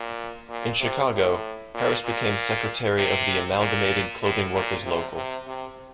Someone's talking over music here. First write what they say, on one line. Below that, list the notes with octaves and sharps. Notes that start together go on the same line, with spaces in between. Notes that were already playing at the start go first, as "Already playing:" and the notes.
In Chicago, Harris became secretary of the Amalgamated Clothing Workers local.
Already playing: A#2
A#2
C3
A2
A#2
A#2
C3
A#2
A2
A#2
C3
C3
C3